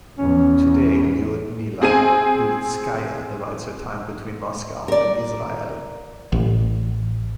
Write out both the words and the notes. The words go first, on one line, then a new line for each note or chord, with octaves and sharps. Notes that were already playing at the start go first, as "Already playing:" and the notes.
Today, Lyudmila Ulitskaya divides her time between Moscow and Israel.
E2 C#4
C4 G#4 G#5 D#7
A#4 D5
A1